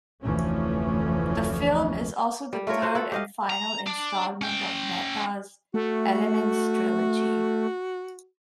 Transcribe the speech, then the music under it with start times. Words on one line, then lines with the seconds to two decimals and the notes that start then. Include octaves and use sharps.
The film is also the third and final instalment of Mehta's "Elements trilogy".
0.23 F1 D2 E3 F3 A3 C#4
2.53 G3
2.67 A3 F4 A#4 C#5
2.82 F4 F#4 C5
2.95 A4 F#5
3.12 G4 D#5 F5
3.50 A#5
3.87 D4
4.42 C#4 G5
5.74 A3 F#4